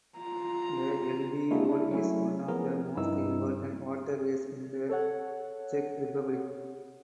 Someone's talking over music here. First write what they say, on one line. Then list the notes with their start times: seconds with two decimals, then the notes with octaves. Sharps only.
The Elbe road is one of the most important waterways in the Czech Republic.
0.18 F4 A#5
1.50 G#3 A#3 D4 E4 F#4 G#4
1.69 D4 E4
1.91 F#3 A3 C#4 E4
2.48 F3 B3 G#4 A#4
2.97 G2 D#4 E4 E6
4.89 A4 C#5 F#5